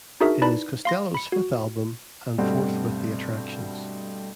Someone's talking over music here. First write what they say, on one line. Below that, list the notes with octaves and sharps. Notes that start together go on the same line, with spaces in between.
It is Costello's fifth album, and fourth with the Attractions.
D4 D#4 F#4 G#4 A#4 E5
D#4 E4 B4 D5 A5 B5
F5 C6 A#6
B5 C#7
F#4
G2 B2 G3 A3 C4 F#4